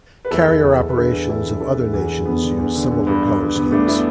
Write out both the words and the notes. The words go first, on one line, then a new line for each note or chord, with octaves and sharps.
Carrier operations of other nations use similar color schemes.
B4
E2 E4 A4
E2
E2
E2
B4
D3 E4 A4
E2
D3 E4 A4
D3
E2 E4 A4
E2
E2
E2
D3 B3
D3
E2
D3
D3
G2
G2
G2
D3 B3
G2 A3 D4
B3 E4